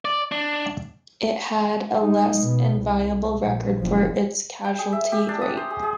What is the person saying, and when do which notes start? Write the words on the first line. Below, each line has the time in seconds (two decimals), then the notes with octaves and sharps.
It had a less enviable record for its casualty rate.
0.05 D5
0.32 D4
2.00 G#3 D#4
2.39 B2
2.81 C2
3.40 A#1
3.80 F#1 F3
4.64 G5
4.79 G#4
4.93 E5
5.12 G4
5.29 D4
5.42 D#6
5.57 C5
5.71 G#4
5.83 G#4